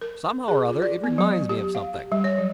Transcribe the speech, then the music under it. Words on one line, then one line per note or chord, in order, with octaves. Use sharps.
"Somehow or other, it reminds me of something."
A#4
G#4
F4
D5
B3
F#3
G4
F5
G4
G3
C#5
F#3